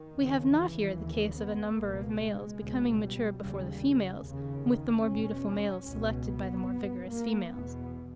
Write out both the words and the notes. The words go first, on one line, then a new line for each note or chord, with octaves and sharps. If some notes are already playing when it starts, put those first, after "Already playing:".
We have not here the case of a number of males becoming mature before the females, with the more beautiful males selected by the more vigorous females.
Already playing: D#3
D#2 C#3
E3
D#2 C#3
B3
C#2 B2 A#3
G#3
C#2 B2
G3
D#2 C#3 G3
C#3
D#2 C#3
D#3
E2 B2 C#4
C#2 B2 C#4
B3
G2
A#3
E2 B2 B3